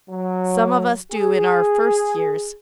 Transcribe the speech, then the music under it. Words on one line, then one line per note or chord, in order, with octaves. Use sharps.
'Some of us do in our first years.
F#3
G#4